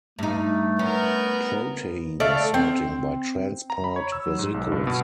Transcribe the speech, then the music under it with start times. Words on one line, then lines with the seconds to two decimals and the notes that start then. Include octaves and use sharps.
Protein sorting by transport vesicles.
0.19 G2 A3 D#4
0.79 B3 C#4 A#4
2.20 A3 D5 E5 F5
2.54 C4
3.70 A#5
3.84 B5
3.96 C#5
4.12 E6
4.26 F#3
4.39 G#2
4.54 B1
4.72 G2
4.87 B2